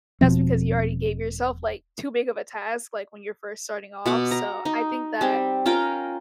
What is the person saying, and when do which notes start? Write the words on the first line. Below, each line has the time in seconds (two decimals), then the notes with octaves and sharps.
that's because you already gave yourself, like, too big of a task, like, when you're first starting off. So I think that,
0.21 E1 B2 F3 C4
4.06 B2 F#5 D6
4.31 A#5
4.65 D#4
5.21 G3 C4
5.66 C#4 F4 A#4 G5